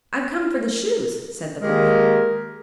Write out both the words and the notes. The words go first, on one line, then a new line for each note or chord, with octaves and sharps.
"I've come for the shoes," said the boy.
D#3 G#3 A#3 G4 G#4 A#4